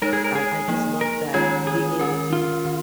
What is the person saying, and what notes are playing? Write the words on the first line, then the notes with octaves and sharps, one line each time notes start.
I I just loved that being able to
G#3 D#4 A#4 C#5
G#4
A#4
G#4
F3 A#3 D#4
A#4
D#3 G#3 C#4 F4 G#4 C#5
G#4
D#3 C#4 A#4
F4
D#3